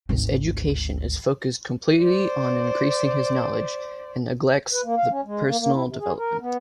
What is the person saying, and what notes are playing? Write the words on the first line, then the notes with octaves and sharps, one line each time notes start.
His education is focused completely on increasing his knowledge, and neglects personal development.
G#1 D2
C5 D5
B4
A#3
F5
C#4
G#3
A#3
A#3
E4
C3
G#4
A#4
B3